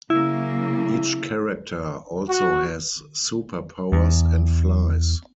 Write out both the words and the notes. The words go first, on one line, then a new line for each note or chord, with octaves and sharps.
Each character also has super powers and flies.
C#3 F#3 A#3 E4
F#4
E2